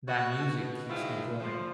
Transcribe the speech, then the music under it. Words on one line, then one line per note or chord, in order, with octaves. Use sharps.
that music keeps me going.
B3 F#4
B2
D#3 F3 F#3 G#3 E4 F4
D3 F3